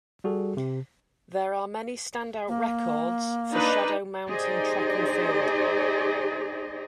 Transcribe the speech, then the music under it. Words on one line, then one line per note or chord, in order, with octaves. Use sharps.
There are many standout records for Shadow Mountain Track and Field.
G3 F#4 G#4 A4
C3
A#3
D4 D#4 B4
D#4 G4 G#4 C5 D5 D#5